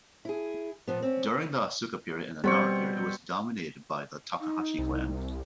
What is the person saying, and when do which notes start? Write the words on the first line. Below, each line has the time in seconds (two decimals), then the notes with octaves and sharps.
During the Asuka period and Nara period it was dominated by the Takahashi clan.
0.25 E4 G#4
0.87 A#2 F3 B3
1.02 C4 C#4
2.44 B2 G3 C4 C#6
4.41 D#4
4.79 C2